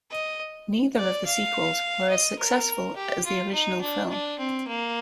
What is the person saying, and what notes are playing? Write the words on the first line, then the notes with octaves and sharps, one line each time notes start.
Neither of the sequels were as successful as the original film.
D#5
D5
F5
D#5
A#4
G4
F4
D#4
D4
D4
C4
A#3